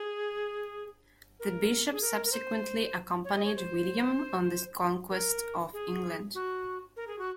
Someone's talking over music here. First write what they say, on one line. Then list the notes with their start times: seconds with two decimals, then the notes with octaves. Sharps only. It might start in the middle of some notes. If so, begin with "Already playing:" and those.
The bishop subsequently accompanied William on the conquest of England.
Already playing: G#4
1.40 A#4
1.91 G#4
2.02 A#4
2.25 A#4
2.32 C5
3.24 C#5
3.35 D#5
3.45 C#5
3.56 C5
5.11 A#4
5.73 G#4
6.35 F#4
6.96 A#4
7.07 G#4
7.19 F#4